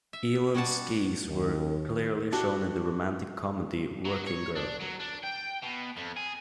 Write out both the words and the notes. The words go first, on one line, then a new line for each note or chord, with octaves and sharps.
Elan skis were clearly shown in the romantic comedy "Working Girl".
E5
G3 C#4 F#4 F#5 A5
D#2
D4 F#4 G4
F#3
C#5
D4
F#3
D4
G5
B2
F2
G#4